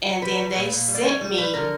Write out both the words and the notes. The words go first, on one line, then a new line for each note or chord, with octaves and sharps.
and then they sent me,
G3 B4
G3
A#2
A#2
G3
D5
G3 C#5
G3
G3 B4
D3 A#4